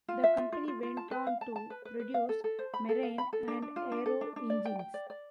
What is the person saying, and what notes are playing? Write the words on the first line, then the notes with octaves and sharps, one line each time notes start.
The company went on to produce marine and aero engines.
F4
E5
F4
F4
F4
F4
A5
B4
F5
A5
A5
B4
B4
B4
F5
A4
A4
C5
B5
A4
F5
B5
A4
D4
D4
F4
D4
A4
D4
D4
D5
G5
G5
D5
D5